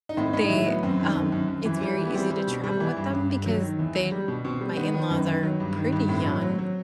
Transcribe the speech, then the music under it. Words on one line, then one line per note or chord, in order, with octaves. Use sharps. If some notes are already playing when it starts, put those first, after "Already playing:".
they um, it's very easy to travel with them because they my in-laws are pretty young.
D#4
A2 C4
A2 D#4
F#3 E4
F#3 B3
F#2 C4
D#3
F#2
F#2
F#2
E3
G3
E3
B3
G3 C4
G3
B2
G3
E3
G2
G2
G2
F#3
D#3
E2
F#3
G3
B2
B2 C4
G3
D#3 B3
D#3
F#2
D#3
F#3
G2
D#3
G2
A2 C4
F#3
F#3
F#3